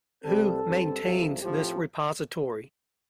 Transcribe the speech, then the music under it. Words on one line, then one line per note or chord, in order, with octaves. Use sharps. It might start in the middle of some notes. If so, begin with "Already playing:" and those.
Who maintains this repository?
C2 C3 G3 C4 A4
G2 G3 C4
C2 C3 F3
A2 F3 C4 G4